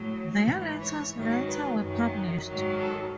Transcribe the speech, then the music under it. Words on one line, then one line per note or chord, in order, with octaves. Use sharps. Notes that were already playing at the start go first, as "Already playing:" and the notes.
Their letters later were published.
Already playing: A2 F#3
G#2 E3
C#5
G#2 D#3 F#3
B4
F#2 D#3 F#3
G#2 D#3 F#3
A4